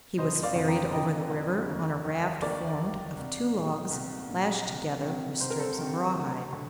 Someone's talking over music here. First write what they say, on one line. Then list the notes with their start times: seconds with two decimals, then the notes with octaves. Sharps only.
He was ferried over the river on a raft formed of two logs lashed together with strips of rawhide.
0.18 F1 C5 D#5
0.43 D5 F5
0.56 F2 D3
0.68 G5 A#5
0.92 F1 D#5 G5
1.30 F2 D3
1.67 D#2
2.04 D#3
2.42 D#2 A#4 D5
2.79 D#3
3.16 C2
3.54 A#2
3.91 C2
4.29 A#2
4.66 C2
5.03 C3 D#3
5.40 C2 C5
5.50 A#4
5.60 A4 C5
5.78 C3 D#3
6.15 D2
6.53 D3